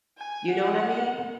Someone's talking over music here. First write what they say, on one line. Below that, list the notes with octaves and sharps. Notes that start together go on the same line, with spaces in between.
You know what I mean?
G#5
F#5